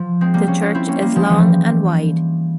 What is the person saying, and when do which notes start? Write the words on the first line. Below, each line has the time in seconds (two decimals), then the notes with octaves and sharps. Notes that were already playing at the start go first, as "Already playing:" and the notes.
The church is long and wide.
Already playing: F3
0.21 G#3 C4
0.34 G3 A#3
0.47 A#3 C#4
0.62 C#4 F4
0.75 C4 E4
0.88 A#3 C#4
1.02 G3 A#3
1.16 F3 G#3
1.29 E3 G3